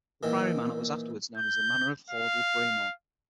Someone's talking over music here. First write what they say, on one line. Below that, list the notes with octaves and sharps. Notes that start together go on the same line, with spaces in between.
The priory manor was afterwards known as the manor of Hordle Breamore.
A#2 D#3 E3
G6
F5